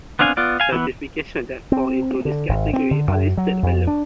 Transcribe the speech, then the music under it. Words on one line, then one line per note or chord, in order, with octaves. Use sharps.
Certifications that fall into this category are listed below.
B3 C4 D4 F5 G#5
B3 F4 D5
F5 G#5
E3 B3
C4
D3
G#1
C4
D3
F#2
F#3
F2
D4